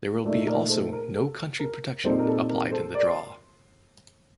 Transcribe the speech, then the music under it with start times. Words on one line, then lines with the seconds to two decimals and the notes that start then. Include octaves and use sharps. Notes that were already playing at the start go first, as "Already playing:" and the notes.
There will be also no country protection applied in the draw.
0.24 A#2 A3 D#4 A#4 D5
0.47 A#4 D5
0.69 A4 C5
0.82 C5
0.92 A#4
1.14 A4
1.59 A#4
2.04 A#2 G3 C4 D#4 A4 C5
2.19 A#4
2.27 A4
2.50 A#4
2.71 A4 C5
2.94 A#4 D5
3.06 C6